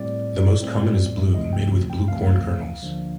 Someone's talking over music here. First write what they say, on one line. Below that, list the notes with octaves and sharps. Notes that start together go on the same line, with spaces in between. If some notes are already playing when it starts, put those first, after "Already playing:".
The most common is blue, made with blue corn kernels.
Already playing: A2 G3 C4 D5
A2 G3 C4
D2 C3 F3 A3 C4 D#5
G5
G5
D2 C3 F3 A3 C4 F5
D2 D3 F3 A#3 D4